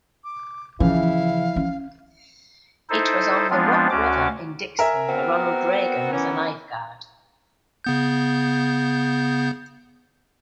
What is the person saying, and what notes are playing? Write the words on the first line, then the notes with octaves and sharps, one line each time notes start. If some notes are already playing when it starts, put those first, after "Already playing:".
It was on the Rock River in Dixon where Ronald Reagan was a lifeguard.
D6
C#3 E3 F3 E4 F5
C#4
D#4 E4 A4 C5
F3 G#3 B3 C4 D4 F4
D2 C#4 F#4 D6
A#4 E5 G#5
B3 C4 F#4
E3 B3 C#4
C#3 B3 G6